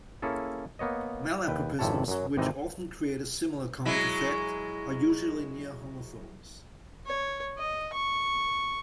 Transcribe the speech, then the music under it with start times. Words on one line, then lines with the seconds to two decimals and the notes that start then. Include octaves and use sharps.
Malapropisms, which often create a similar comic effect, are usually near-homophones.
0.22 A#3 C#4 E4 G#4 A4
0.79 A#3 B3 C#5 D#5
1.48 D#2 B4 G5
1.79 G#1 F2 C3 E4 C#5 A5
2.08 F#2 F#3
2.37 G#1 C3 E3 D#4 D#5
3.85 F#3 G#3 E4
7.06 C#5
7.57 D#5
7.93 C#6